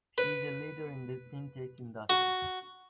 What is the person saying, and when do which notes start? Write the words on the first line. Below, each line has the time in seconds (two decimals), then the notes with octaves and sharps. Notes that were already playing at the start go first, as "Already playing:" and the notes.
She is a leader in the Fintech industry.
0.18 B4
2.10 F#4